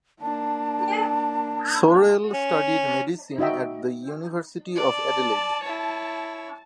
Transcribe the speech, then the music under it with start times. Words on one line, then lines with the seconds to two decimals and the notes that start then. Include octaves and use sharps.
Sorrell studied medicine at the University of Adelaide.
0.22 A#3 D4 A5
2.33 C#4
3.38 D#4 F#4 D#5 E5 G5
4.76 D5 A5
5.63 E4 C#5